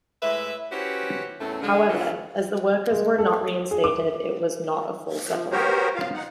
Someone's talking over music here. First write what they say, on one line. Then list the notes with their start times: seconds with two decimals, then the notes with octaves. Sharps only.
However, as the workers were not reinstated, it was not a full settlement.
0.22 A2 G#3 B4 E5
0.71 C#4 E4 F#4 G4 B4 C5
1.40 E2 A2 A3 C4 C#4 A4
1.62 D3 G#3
1.88 D2 B2 F#3 A#3 F4 A4
2.91 G#3
3.18 A4
3.71 G#4
3.84 D6
5.27 F3
5.52 B3 F#4 G4 A#4 C5 C#5
5.95 F4 F5
6.14 D#4 F#5